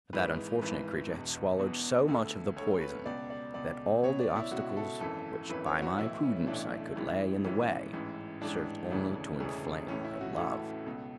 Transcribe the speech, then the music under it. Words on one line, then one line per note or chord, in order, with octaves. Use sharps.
But that unfortunate creature had swallowed so much of the poison, that all the obstacles which by my prudence I could lay in the way served only to inflame her love.
G#1 G#2 E3 B4
G#1 G#2 E3 B4
E1 E2 B2
E1 E2 B2
D2 D3
D2 D3 C#5
B4
C#2 B2 D5
D5
C#2 B2 D5
C#2 B2 C#5
D5
E4
C#2 B2 F#4
A4
G#1 F#2 E3 A4
G#1 F#2 E3 B4
C#5
F#4
B1 A2 E3 E4
C#4
B1 A2 E3 D4
A1 G#2 E3
A1 G#2 E3 C#4
A1 G#2 E3
A1 G#2 E3 D4
E1 D2 C#3 E3 D4
E1 D2 C#3 E3 G#4
A1 A2 E3 C#4
E4
F#4
A1 A2 E3 A4
C#2 B2